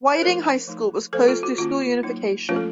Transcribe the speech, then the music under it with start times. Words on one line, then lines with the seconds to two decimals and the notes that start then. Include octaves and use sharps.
Whiting High School was closed through school unification.
0.16 C5
0.23 F3 A3 C4 D#4 A#4 C#5
0.68 F3 A3 D#4
1.13 F3 A3 C4 A4 C5
1.28 F4 A4
1.43 F#4
1.58 D#3 A#3 C#4 F4
2.03 F#3 A#3 D#4
2.49 F3 A3 C#4 F4
2.56 A4